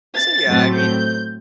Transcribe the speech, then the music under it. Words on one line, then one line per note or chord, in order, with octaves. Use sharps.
ye so, yeah, I mean,
A6
A2 F#3 A3 C4
G6